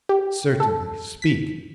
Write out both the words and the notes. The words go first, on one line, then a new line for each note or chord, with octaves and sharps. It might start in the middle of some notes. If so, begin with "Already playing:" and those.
"Certainly, speak."
G4
A4
B6